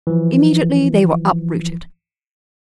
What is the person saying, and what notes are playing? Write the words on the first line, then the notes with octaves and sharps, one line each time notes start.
Immediately they were uprooted.
E3 F3